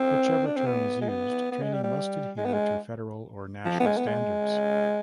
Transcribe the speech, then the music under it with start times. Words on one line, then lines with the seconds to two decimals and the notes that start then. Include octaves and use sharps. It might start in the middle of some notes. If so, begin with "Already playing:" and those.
Whichever term is used, training must adhere to federal or national standards.
Already playing: C4
0.46 D4
0.56 C4
0.66 B3
1.01 G#3
1.09 B3
1.52 B3
1.62 G#3
1.73 G3
1.84 G3
2.37 G#3
2.45 B3
2.54 G#3
3.65 F3
3.80 B3
3.87 G#3
3.97 B3
4.08 G#3